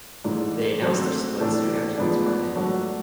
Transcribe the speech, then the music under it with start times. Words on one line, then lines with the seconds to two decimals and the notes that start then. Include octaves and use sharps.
They announced their split soon after the tour ended.
0.24 G#2 E3 A3 D4
0.82 F#3 A3 C4
1.40 A2 E3 A3 D4
1.98 G#2 F3 G#3 B3 D4
2.56 F#3 A3 D4 F#4